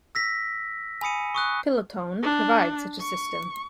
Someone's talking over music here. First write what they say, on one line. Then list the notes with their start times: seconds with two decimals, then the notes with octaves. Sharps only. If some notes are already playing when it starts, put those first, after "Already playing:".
Pilottone provides such a system.
0.15 E6 A#6 B6
1.01 G#5 B5 D#6 C#7 D#7
1.35 C#6 D#6 F#6
2.23 D4
3.01 C#6